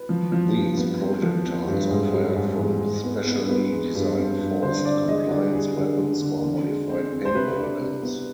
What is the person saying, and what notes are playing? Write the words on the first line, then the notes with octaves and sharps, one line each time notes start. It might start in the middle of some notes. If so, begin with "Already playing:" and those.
These projectiles are fired from specially designed forced compliance weapons or modified paintball guns.
Already playing: B4
F3
F3
G2
B3
C4
F3
C4
G2
G#2 G#4
G3
G#2
G#2
G#3
B3
B3
B3
G#3
G2
C4
G2
D3 C5
D3 D5
G#3 D#5
D3 D5
G3 G#4
D3
D3
D3
D3
G#3
C4
C4
C5
C3 B4
D4
C3
B3